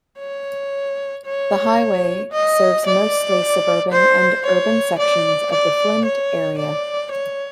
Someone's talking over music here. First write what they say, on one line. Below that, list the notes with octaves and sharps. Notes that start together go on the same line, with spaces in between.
The highway serves mostly suburban and urban sections of the Flint area.
C#5
C#5
D#5
D5
C5
C#5
D5
D5
C#5
D5
C#5